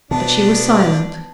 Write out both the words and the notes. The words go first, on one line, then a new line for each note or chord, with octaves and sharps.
But she was silent.
B2 B3 D4 A5